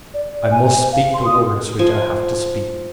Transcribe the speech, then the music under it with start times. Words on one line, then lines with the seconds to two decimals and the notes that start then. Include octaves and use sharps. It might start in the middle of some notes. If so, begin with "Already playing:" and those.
I must speak the words which I have to speak.
0.14 D5
0.51 G#5
0.78 C5
0.92 F5
1.13 C6
1.25 D#6
1.79 F3 G#5